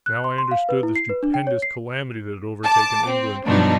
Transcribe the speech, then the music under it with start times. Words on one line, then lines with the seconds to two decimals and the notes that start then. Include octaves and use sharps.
Now I understood the stupendous calamity that had overtaken England.
0.06 F#6
0.24 C6
0.38 C6
0.51 F5
0.69 B4
0.83 E4
0.96 C7
1.09 B4
1.23 D4
1.34 G5
1.47 C#5
1.62 C7
2.64 A5 D6
3.08 C4
3.46 G2 B2 F3 F#3 D4 D#4